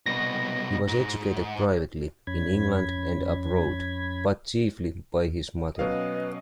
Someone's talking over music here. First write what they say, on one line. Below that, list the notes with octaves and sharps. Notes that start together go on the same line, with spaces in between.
He was educated privately, in England and abroad but chiefly by his mother.
C2 B2 A#6
G#2
F2 C#4 B5 G#6
B2 F#3 C#4 B4 D#5 F5